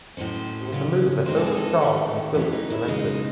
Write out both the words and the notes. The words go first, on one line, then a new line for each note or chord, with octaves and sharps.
It was a move that both Charles and Squillace lamented.
A2 F#3 C#4 C5
C#3 F#3 C#4
E3 G#3 C4 D#4 C5
A4
G#4
A4
D#3 A3 C#4
E3 A3 C#4
D#4
E4
C#3 G#3 C#4 D#4